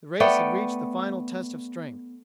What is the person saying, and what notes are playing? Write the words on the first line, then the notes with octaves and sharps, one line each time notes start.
The race had reached the final test of strength.
A3 B3 D5 G5